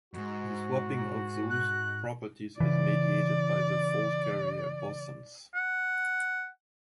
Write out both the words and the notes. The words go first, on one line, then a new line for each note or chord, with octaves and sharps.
The swapping of those properties is mediated by the force carrier bosons.
F2 G#2 F#4
F#6
C#3 E3 D5
F#5